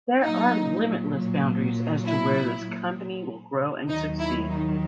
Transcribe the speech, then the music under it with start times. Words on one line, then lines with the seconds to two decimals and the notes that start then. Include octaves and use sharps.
There are limitless boundaries as to where this company will grow and succeed.
0.23 A#2 F#3 D#4
2.06 E4
3.89 D#2 D#3 F#3 D#4
4.19 E4
4.50 D#4